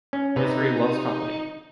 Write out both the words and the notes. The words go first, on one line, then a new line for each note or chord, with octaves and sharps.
Misery loves company.
C#4
C3 D#4 B4